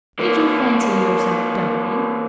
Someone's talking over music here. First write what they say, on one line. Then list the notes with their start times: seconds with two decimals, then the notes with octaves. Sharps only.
"Did you fancy yourself dying?"
0.19 E3 A#3